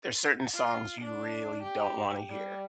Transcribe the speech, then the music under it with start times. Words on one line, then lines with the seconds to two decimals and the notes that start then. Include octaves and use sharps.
there are certain songs you really don't wanna hear,
0.54 F4
1.01 D4
1.63 G4
2.29 G3